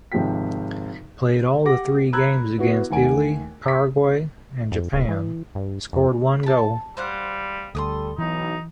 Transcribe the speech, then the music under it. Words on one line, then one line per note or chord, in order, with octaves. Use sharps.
Played all the three games against Italy, Paraguay and Japan, scored one goal.
G#1 C3 F3 G#3 G5 B6
G4 F#5 D6 A#6
A#5 B5 E6 F#6 G#6
B3 E4 F#4
D#2 A3 F#5 G#5 D7
C#6 B6
F2
D1
E3
G2
F2
A5 B5
G3 C5 F5 F#5
D2 G3 A4 C6 D6 D#6
B1 E3 D#4